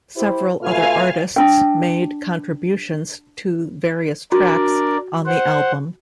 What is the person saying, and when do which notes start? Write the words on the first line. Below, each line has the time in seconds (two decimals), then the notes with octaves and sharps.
Several other artists made contributions to various tracks on the album.
0.15 E4 G4 C5
0.61 B2 A3 F4 F5 G#5 F6
1.36 D4 D#4 G5
4.32 D4 F#4 A#4 D5
5.26 C5 F#5